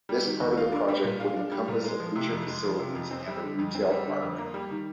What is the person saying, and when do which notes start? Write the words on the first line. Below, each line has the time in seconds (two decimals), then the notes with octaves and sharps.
This part of the project would encompass of leisure facilities and a retail park.
0.09 G3
0.25 D#3
0.40 D#2
0.57 F4
0.72 D4
0.88 G3
1.04 A#2
1.20 F4
1.37 D4
1.52 G3
1.68 A#2
1.84 G#3
2.00 F3
2.16 C3
2.31 F2
2.47 G#3
2.63 F3
2.80 C3
2.95 F2
3.11 C4
3.27 G3
3.43 D3
3.59 F2
3.75 C4
3.91 G3
4.06 D3
4.22 F2
4.38 A#3
4.54 G3
4.71 D#3